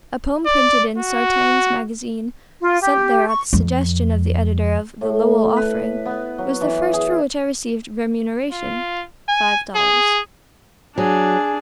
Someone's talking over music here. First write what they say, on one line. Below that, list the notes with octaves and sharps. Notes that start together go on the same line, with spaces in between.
A poem printed in "Sartain's Magazine," sent there at the suggestion of the editor of the "Lowell Offering" was the first for which I received remuneration--five dollars.
D5
F#4
F4
G4
C#6
F2
A2
B4
B3
F#3
E3
G#4
F4
G#5
G#4
F#3 D4 G#4